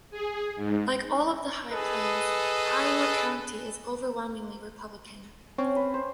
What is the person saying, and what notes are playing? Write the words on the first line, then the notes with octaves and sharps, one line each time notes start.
Like all of the High Plains, Kiowa County is overwhelmingly Republican.
G#4
G#2
G#4 A4 B4 D#5
C4 C#4
B4
C5